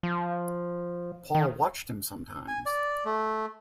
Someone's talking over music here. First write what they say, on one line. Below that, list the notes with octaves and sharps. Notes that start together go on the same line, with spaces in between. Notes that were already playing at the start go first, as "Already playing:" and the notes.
Paul watched him sometimes.
F3
D#3
G#5
D5
A3